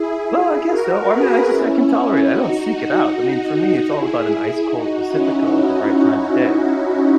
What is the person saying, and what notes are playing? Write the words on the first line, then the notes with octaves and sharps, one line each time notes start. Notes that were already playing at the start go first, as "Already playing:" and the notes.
Well, I guess so, I mean, I just I can tolerate it, I don't seek it out, I mean, for me, it's all about an ice-cold Pacifico at the right time of day,
Already playing: E4 G#4
E4 G#4
F#4 A#4
G#4 B4
C#4 E4
C#4 E4
D#4 F#4
D#4 F#4
E4 G#4
E4 G#4
D#4 F#4
C#4 E4